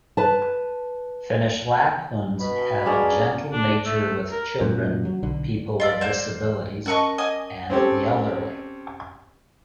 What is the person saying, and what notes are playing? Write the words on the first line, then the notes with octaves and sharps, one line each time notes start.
Finnish Lapphunds have a gentle nature with children, people with disabilities, and the elderly.
B4 A5
B2 B5
A#3 C#4 D4 G#4 D5
D4
A3
A#4
F#2 A#2
F#3
B1 D3
D5 D#5 F5 C6 E6
A#3 C5 D5 G6
C#4 A#4 D#5 A5 C#6 F#6
D#5 G#5 D6 D#6
C4 C#4 G4 A4